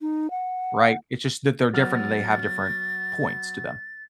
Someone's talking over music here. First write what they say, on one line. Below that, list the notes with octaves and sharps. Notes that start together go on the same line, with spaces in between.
right? It's just that they're different, and they have different points to them.
D#4
F#5
F#3 B3 F6 A6